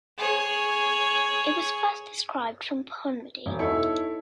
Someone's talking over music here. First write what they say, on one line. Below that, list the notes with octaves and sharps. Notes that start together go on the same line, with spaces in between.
It was first described from Ponmudi.
G#4 C#5
E1
D#4 E4 A4 C#5